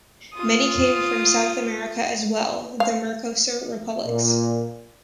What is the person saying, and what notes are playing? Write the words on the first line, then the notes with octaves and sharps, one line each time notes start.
Many came from South America as well-the Mercosur Republics.
F4 D#6
F5
A#2